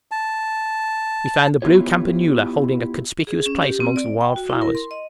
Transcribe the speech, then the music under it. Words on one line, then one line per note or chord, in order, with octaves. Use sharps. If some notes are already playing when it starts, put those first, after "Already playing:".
We found the blue campanula holding a conspicuous place amongst the wild flowers.
A5
B3 E4 F4 G4 C#5
G#4
C#4
G4
C4
D5
G5
F#4
E4
A#4
C6
D#5